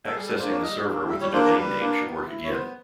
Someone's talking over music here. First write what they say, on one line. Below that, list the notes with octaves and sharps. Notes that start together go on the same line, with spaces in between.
Accessing the server with the domain name should work again.
A4
G3 G#4
A4
A#3 D4 C5
C#5
G3 D#5
A#3 D4
G3 E5
C#5
A#3 D4 C5
A#4
G3 B4
A#3 D4
B3
E4
C#5
B3 C5